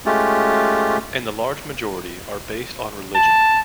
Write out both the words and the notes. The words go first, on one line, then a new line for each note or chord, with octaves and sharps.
And the large majority are based on religion.
G#3 A3 C#4 F4 G4
A5